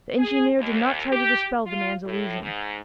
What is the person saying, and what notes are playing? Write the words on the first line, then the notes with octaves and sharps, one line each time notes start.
The engineer did not try to dispel the man's illusion.
G#4
D#2
G4
F4
A2
G#2